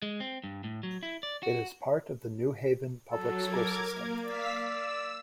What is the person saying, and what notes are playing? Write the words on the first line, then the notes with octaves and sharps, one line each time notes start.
It is part of the New Haven public school system.
G#3
C4
G2
A2
F#3
E4
D5
F#4
F#3 A4
A#4 D6 G#6
A#3
D5 F5 E6 B6
E6